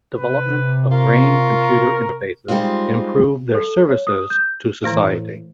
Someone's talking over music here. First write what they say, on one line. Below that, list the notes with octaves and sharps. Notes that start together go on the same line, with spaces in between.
Development of brain-computer interfaces improved their services to society.
C3 B4
F4 A#4 C#6
G3 G#3 C4 D#4 F4
A4
C#5
D#6
G6
A2 D#3 E3 A3